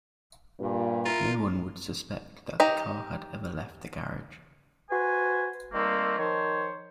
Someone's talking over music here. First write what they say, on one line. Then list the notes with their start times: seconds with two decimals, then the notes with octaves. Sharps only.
No one would suspect that the car had ever left the garage.
0.59 G2 A#2
1.05 E4 F4 A#4
2.60 D#4 G4 A#5
4.90 F#4 B4 C5 G#5
5.73 D#3 G3 A3 A#3 C4
6.18 D#3 F3 C5 C#5